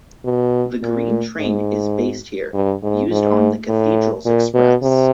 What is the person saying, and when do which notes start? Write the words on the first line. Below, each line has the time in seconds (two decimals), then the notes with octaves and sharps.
"The Green Train" is based here, used on "The Cathedrals Express".
0.25 B2
0.82 A#2
1.40 G#2
2.54 G2
2.83 G#2
3.11 G#2
3.69 A2
4.26 A#2
4.54 B2
4.82 C3